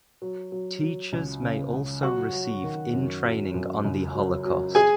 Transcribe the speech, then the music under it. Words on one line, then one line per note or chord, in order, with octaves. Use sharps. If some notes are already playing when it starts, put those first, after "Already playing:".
Teachers may also receive in training on the Holocaust.
F#3
F#3
F#3
C#2
C#3
C#2
F#3 F#4 F#5
F#3
D#3
F#2
F#3
F#2
C#2
F#3
F#3
G#4 G#5